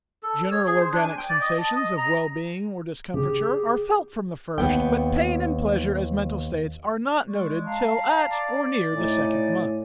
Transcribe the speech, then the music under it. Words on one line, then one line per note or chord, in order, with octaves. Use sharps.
General organic sensations of well being or discomfiture are felt from the first, but pain and pleasure as mental states are not noted till at or near the second month.
A4
C#5
G#4
C5
D4
G#5
G5
D5
D#5
A5
D#5
A#5
C#3 G4 G#4
D#2 B3 G5
G#3 D5 C#6 D6
F5 A5 A#5
D5
A2 D#4 G#5